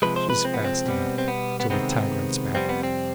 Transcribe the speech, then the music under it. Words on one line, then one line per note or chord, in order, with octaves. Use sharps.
'She's fast enough till the tide runs back.
C3 F3 G#3 B4
C5
B4
C4
B3
C4
B2 G3 B3
C4
B3
B3
C3 D#3 G#3 B3 C4
F2 C3 G3 B3 C4
B3
C4